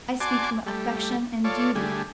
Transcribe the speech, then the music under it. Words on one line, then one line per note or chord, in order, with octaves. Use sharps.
I speak from affection and duty.
F#4 D5 G#5 A5 C6 D6
G3 A3
F4 A4 C#5 D5
D3 G3 A3 G#4